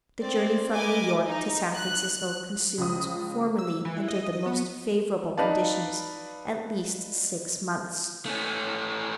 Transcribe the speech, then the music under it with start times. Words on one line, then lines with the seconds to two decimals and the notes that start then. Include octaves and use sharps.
The journey from New York to San Francisco consumed, formerly, under the most favourable conditions, at least six months.
0.20 C4 D5
0.72 A#4 B4 D#5 G#5 D6
1.26 D#4
1.74 F#6
2.78 C#2 F3 F4 D#6
3.59 E6
3.85 E3
4.08 D#5
4.33 D#5
4.46 B3
5.38 D#4 B4 D5 F5 A5
8.26 A3 C#4